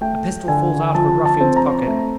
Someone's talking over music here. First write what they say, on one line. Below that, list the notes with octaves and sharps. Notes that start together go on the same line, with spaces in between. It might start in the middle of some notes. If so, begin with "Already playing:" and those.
A pistol falls out of a ruffian's pocket.
A3 G5
D3 G#5
F3 A5
A5
C4
A#5
A3